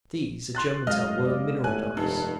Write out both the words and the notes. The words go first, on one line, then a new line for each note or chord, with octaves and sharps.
These are Germantown wool and mineral dyes.'
C6 F#6 A6
F#2 G#3 D#5 F5 F6
B3 D5
A2 G3 G#5 F#6
F1 G2 D#4